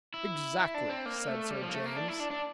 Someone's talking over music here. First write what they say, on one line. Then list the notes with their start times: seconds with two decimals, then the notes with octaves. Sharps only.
"Exactly," said Sir James.
0.14 E4
0.59 E4
0.74 D4
0.89 C4
1.06 A#3
1.28 A3
1.51 G3
1.63 F3
1.69 A#3
1.74 A3
1.85 A#3
1.96 D4
2.08 E4
2.20 D4
2.31 D4